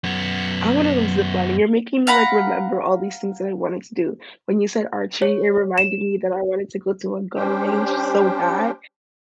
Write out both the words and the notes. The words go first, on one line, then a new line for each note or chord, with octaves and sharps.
I wanna go ziplining, you're making me, like, remember all these things that I wanted to do, when you said archery, it reminded me that I wanted to go to a gun range so bad,
F#2 B3
F5 F#5 A#5 B5
C#5
E7
G3 C#4 D4 G4 C5 G5